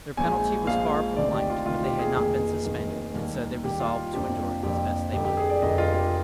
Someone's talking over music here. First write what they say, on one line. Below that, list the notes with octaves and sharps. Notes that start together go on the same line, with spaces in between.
Their penalty was far from light, but they had not been suspended, and so they resolved to endure it as best they might.
A#1 A#2 F3 G#3 G#5
A#1 A#2 F3 G#3 F5
D2 C3 D#3 D5
G4
F4
D2 C3 D#3 F4
G4
G#4
F1 F2 D#3 A#3 G#4
F1 F2 D#3 A#3
D#2 D#3 G3 A#3
D#2 D#3 G3 A#3 G4
F4
F2 C3 F3 A#3 D4 G4
F2 C3 F3 A#3 D4 G4
F1 F2 D3 G4
G4
G#4
D5
F1 F2 D3 D#5
F4
G4